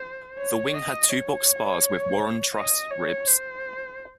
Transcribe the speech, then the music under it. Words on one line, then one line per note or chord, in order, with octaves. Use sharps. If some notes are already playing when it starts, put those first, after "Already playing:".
The wing had two box spars with Warren truss ribs.
Already playing: C5
C#5
D#5
C#5
D#5
C#5
C5